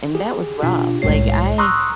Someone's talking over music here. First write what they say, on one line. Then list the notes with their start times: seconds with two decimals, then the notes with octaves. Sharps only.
and that was rough, like, I
0.15 G4 G#4
0.62 B2 D4 F4 G4
1.02 G1 C2 A2 G#3 C#5 C7
1.58 A#5 C6 C#6 D#6 E6 F#6